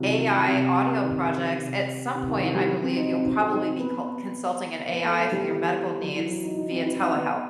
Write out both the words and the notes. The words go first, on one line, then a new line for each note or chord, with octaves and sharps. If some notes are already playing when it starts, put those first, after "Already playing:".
AI audio projects, at some point, I believe you'll probably be col consulting an AI for your medical needs via telehealth,
Already playing: C3 D#3 E3 F#3
C3
D#3
C3
C3
D#3
E3
G3
F#3
C4
D#4
C4
D#4
C4
D#4
D#4
B3
B3
A3
A3
G3
E3
F#3
E3
F#3
D#4
D#4
C4
E4
D#4
B3